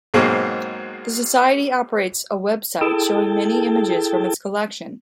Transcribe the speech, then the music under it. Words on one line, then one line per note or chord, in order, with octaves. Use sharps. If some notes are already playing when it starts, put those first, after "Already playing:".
The Society operates a website showing many images from its collection.
G#2 B2 F#3 G#3 A#3 C4
E4 G#4 A4 G5 A5